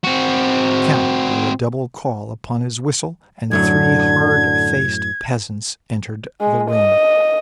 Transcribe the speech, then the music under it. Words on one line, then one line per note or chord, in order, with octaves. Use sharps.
The count blew a double call upon his whistle, and three hard-faced peasants entered the room.
C4 F#4
F#2 A2 D3 F#3 G#6
G#3
D#5